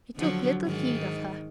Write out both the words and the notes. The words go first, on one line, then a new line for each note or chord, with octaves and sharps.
He took little heed of her.
D3 F3 F#3
G#2 D#3